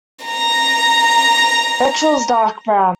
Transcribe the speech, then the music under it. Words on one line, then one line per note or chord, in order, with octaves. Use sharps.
Ventrals dark brown.
A#5